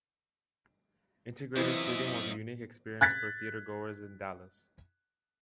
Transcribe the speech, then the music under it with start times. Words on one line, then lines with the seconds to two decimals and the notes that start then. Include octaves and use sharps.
Integrated seating was a unique experience for theatergoers in Dallas.
1.56 F#2 C3 E3 E4 F4 C5 D#5 E5
3.01 F#6 G#6 A6 B6